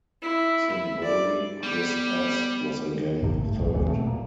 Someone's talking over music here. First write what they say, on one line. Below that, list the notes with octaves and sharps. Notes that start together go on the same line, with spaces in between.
Symboli Kris S was again third.
E4
E4
D5
G3 B3
D1 A1 G2 C3
A2
F#1 B1 F#2
G#1 D#2 G#2 E3
B2 A3 C4
E1 A#2 G3 A#3